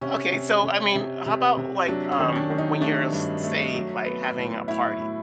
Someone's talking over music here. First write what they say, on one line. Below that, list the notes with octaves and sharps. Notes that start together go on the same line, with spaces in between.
Okay. So I mean, how about, like, um, when you're, uh, s say, like having a party,
C3 C#4
C3
C3
C3
C3
C3
F#3 D4
C#4
D#3
D4
D#3
D#4
A3 D4
G2
A3
F#3
B3
A2
A2 E4
A2